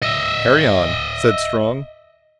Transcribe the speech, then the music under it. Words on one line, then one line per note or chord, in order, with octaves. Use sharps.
"Carry on," said Strong.
D#5 E5